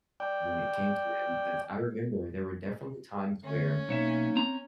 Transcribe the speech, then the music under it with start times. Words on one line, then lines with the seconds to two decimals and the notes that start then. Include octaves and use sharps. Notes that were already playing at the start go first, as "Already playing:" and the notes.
when it came to that because I remember there were definitely times where
0.20 D5 G5
3.44 D3 A3 C#4
3.89 B1 A#3 D#4 C#5 E5
4.35 C4 A#5